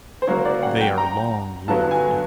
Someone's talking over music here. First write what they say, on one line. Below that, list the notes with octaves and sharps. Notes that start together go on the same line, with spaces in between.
They are long-lived.
C5
C#3 F#3 A#3 C#5
D5
F#5
G5
A#5
G2 D3 F#3 B3 A5
G#5